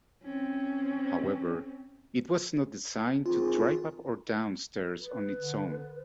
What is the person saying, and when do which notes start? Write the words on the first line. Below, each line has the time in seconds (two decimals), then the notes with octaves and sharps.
However, it was not designed to drive up or down stairs on its own.
0.24 C4 C#4
3.26 D#3 C4 F4 G#4
5.00 B4
5.36 D3